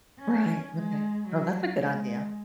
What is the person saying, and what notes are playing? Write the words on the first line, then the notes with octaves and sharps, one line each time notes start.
Right, okay. Well, that's a good idea.
C#4
G#3
F#3
G#3